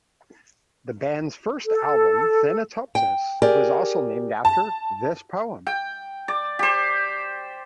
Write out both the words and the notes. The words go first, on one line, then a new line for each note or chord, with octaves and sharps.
The band's first album, "Thanatopsis", was also named after this poem.
A4
G5
G4 G#4 A#4 D5
A5
G5
D5
G4 C5